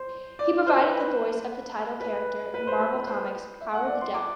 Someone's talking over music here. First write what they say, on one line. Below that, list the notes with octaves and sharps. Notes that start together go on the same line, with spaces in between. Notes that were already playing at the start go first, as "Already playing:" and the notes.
He provided the voice of the title character in Marvel Comics' "Howard the Duck".
Already playing: C5
D5
D5
C5
B4
B4
B4
C5
B4
B4
C5
E5
F#5
D5
C6
D6